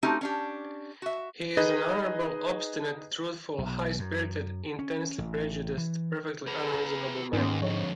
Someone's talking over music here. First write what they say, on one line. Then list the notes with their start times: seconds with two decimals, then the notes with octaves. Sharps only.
He is an honourable, obstinate, truthful, high-spirited, intensely prejudiced, perfectly unreasonable man.
0.03 A3 C4 C#4 D#4 F#4 G4
0.21 C#4 D4 G4
1.02 F#4 E5
1.57 D#4 G#4 B4 D#5
3.58 B1
3.99 F#2
4.79 C#4
5.18 A1
5.77 E3
6.47 G#4 B4
6.72 A#5
7.33 D#2 G#2 D#3 B3 C#4
7.62 F2 D3 C#5